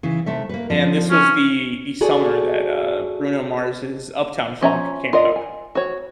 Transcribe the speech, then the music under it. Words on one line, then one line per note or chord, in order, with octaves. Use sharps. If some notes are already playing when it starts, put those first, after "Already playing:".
and this was the the summer that, uh, Bruno Mars' Uptown Funk came out,
C#3 E3
C3 A3 E5
A#3 B4
F3 C4 A4
C#4
F#4 G#4 A4 D5
F3 C#4 E5 A#5
F4 A#4 D5 D#5
G#5
F#4 C#5